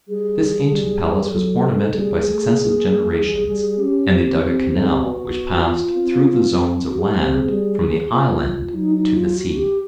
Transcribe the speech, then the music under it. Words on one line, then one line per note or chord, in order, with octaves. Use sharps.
This ancient palace was ornamented by successive generations; and they dug a canal which passed through the zones of land from the island to the sea.
G3 G#4
G3
G#4
F#3 A4
G3 G#4
A3
A#3
A#3
G3
G3
C#4 G4
C4
C4
C4 A4
G#4
G4
B3 F#4
B3 F4
C4
C4
F#4
G#4
G4
C4 G4
G#4
G3
F4
F#3 D#4
D#4
F4
F#4
G4